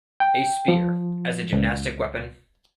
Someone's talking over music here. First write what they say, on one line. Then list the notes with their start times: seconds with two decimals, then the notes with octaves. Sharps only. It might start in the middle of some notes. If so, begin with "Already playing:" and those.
A spear, as a gymnastic weapon.
0.20 G5
0.68 F3
1.53 C#2